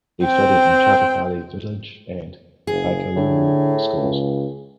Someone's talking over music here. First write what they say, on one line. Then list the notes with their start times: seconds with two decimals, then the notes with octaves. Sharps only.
He studied in Choutapally village and Kaikaluru schools.
0.24 C4 G5
2.67 F#1 G#4
3.16 A2 D3
3.96 C#2